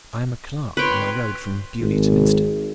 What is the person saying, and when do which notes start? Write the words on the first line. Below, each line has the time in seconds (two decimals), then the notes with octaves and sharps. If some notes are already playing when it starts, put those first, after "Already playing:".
"I am a clerk on my road from Beaulieu to Minstead."
0.77 B4 C#5 G5 C6
1.80 G#1